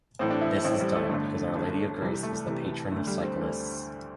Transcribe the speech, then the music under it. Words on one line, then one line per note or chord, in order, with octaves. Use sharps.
This is done because Our Lady of Grace is the patron of cyclists.
A1 A2 E3 C4
D4
E4
A1 A2 E3 C4
G3
A3
G1 G2 D3 A3
G1 G2 D3
C2 C3 E3 G3
A3
C2 C3 E3
D2 D3 A3
G3
C4
D2 D3